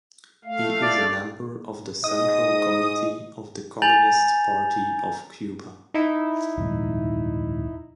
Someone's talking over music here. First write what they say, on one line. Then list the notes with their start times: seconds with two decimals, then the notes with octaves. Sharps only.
He is a member of the Central Committee of the Communist Party of Cuba.
0.45 A3 F5
0.83 D5
2.04 G#2 D#5 D#6
3.82 G#5 A#5 G6 A6 F7 F#7
5.94 D#4 E4
6.58 D#1 F2 G#2